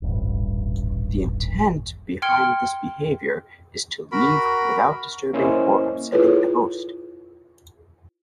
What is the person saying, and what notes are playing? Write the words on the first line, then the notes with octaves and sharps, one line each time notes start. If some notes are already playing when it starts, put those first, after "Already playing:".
The intent behind this behaviour is to leave without disturbing or upsetting the host.
D#1 A1 G2
G5 C6 F6 G#6 C#7 G7
F#4 A#4 B5
A#3 C#4 E4 C5 D#5
E4 F4 G#4 A4 B4 C#5